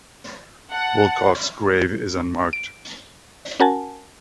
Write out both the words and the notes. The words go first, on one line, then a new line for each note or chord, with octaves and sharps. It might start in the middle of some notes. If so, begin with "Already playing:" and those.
Willcocks' grave is unmarked.
F#5 A5
D7
C#4 F#4 A#4 F#5 G#5 A5